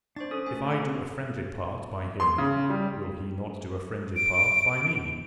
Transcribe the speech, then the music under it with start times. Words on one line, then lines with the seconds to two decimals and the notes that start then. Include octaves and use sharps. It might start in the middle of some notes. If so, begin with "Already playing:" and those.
If I do a friendly part by him, will he not do a friendly part by me?
0.16 D4 C5 C#6 A6
0.31 C#4 A4 D#6
0.46 A3 G#5
0.71 A#5
2.20 C6
2.38 C#3
2.70 G3
4.16 D7